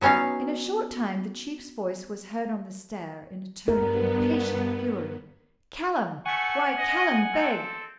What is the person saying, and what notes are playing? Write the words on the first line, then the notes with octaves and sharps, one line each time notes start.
In a short time the Chief's voice was heard on the stair in a tone of impatient fury: 'Callum! why, Callum Beg!
F#3 B3 C#4 D#4 F5
G2 B3 A#4
A3 F#5 G#5 C#6
D#5
C4 A4